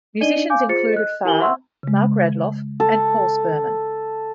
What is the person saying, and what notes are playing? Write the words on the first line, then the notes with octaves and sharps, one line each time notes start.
Musicians included Farr, Mark Radloff and Paul Sperman.
D4 D#4 D5 D#5 D#7 G7
F5 G#5 D6 G6
F4 G#4 C5 A6 C#7
D#5 F#6
E4 G4 A#4 G#5 F#7 G7
E5 F#5 C6 C#6 E6
C#3 G#3
A4